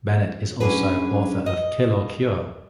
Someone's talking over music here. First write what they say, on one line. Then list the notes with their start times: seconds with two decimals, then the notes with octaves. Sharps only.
Bennett is also author of Kill or Cure?
0.60 F#3 C#4 D4 G#4 B4
1.46 D#5